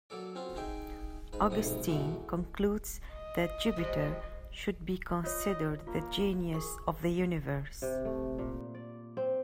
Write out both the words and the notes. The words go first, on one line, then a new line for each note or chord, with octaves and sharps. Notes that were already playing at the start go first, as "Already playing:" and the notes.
Augustine concludes that Jupiter should be considered the "genius" of the universe.
F#3 A#3 A4 D5
C4 C#4 F4 F#4
D#4 G#4 E5 G5
G#2 B4 B5
B1 F2 G#2 C3 G3 D#6
B2 E3 G#3 A3 F#4
D#5
F3 G3 G#3
F4 C#5 D#5
A#3 F4
G#4 A#4 C#6
C3
A3
A#2
D5
C4